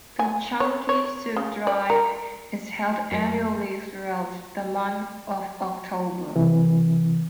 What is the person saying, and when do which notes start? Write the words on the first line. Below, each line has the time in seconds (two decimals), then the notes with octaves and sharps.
The Chunky Soup Drive is held annually throughout the month of October.
0.19 G#5
0.60 C#5
0.89 C#5
1.36 C#3
1.67 D5
1.90 A#4
3.12 F#2
6.35 C3 E3